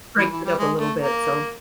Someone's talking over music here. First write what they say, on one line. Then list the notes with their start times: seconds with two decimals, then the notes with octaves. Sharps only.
breaks it up a little bit, so
0.18 E3
0.31 E3
0.44 G3
0.58 G#3
0.78 A3
0.99 A#3